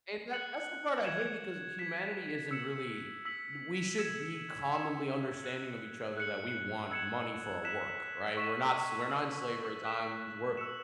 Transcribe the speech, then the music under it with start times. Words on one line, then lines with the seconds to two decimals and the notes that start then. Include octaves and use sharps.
And that that's the part I hate because humanity isn't really we should be commonly understanding of each other that we want money for our work, right? We're not s we're not in slavery times. We're
0.32 F#6 C#7 F#7
1.05 G#6 E7
1.78 G#6 B6 E7
2.51 E6 C#7 E7
3.25 E6 B6 F#7
3.98 E6 G#6 C#7 E7
4.72 G#6 E7
5.44 F#6 C#7 F#7
6.18 F#6 C#7 F#7
6.91 E6 G#6 C#7 E7
7.64 F#6 B6 E7
8.37 C#6 E6 B6 E7
9.10 E6 B6 F#7
9.83 F#6 B6 E7
10.57 E6 C#7 E7